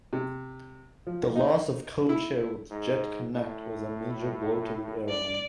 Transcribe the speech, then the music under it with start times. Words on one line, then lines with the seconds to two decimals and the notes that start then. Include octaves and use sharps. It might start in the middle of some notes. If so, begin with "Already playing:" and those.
The loss of the code-share with Jetconnect was a major blow to the airline.
0.13 C3
1.07 F3
1.35 D#4
2.09 E4
2.71 G#2
3.34 A2
5.10 D5